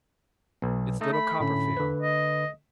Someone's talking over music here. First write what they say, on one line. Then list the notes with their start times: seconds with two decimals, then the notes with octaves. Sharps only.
'It's little Copperfield!'
0.62 B1
1.01 A3 D#4
1.13 B5
1.40 A2 D3 C#4 B5
1.77 D3 B4
2.02 D#5